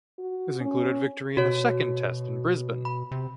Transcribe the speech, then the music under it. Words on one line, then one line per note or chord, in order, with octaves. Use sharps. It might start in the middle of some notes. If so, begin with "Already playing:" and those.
This included victory in the Second Test in Brisbane.
F#4
C#4
B2 F#4 C#5
B5
C3